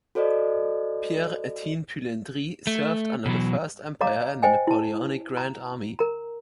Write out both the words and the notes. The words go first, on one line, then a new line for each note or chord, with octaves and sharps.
Pierre-Étienne Poux-Landry served under the First Empire in the Napoleonic Grand Army.
F#4 A4 C5 D5 D#5
A3
B2 E3 F#3
C#5 D#5 F5 A#5 D6
C5 D#5 G5 G#5
E4 A5
A#5
A#4 A#5